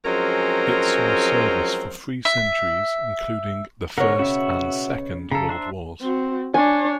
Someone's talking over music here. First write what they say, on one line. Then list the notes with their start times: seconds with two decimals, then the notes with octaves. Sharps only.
It saw service for three centuries, including the First and Second World Wars.
0.05 F3 F#3 G#3 C4 C#4 A#4
2.25 E5
3.98 B2 D3 A#4 C#5 F#5
4.19 C#3 F#4 E5
5.31 C#3 A4 A#5
5.49 D4 C5 E5
6.01 C4 F#4
6.54 D4 C#5 G#5